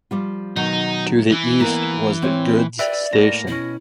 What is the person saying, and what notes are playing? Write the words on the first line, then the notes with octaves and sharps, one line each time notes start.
To the east was the goods station.
F3 G3 F4
B2 D#3 F#3 D#4
E3
A#3 B3 F5
C4 C#5
B4 D5 E5 G5
A2 A#3 A#6
B2 C#4 E4